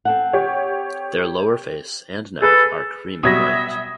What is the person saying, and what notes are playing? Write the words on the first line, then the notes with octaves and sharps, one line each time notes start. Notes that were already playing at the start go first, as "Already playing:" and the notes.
Their lower face and neck are creamy white.
C4 A4 F#5
G4 C#5
G#4 A4 B4
B2 F#3 G3 E5 D#6 G#6 A#6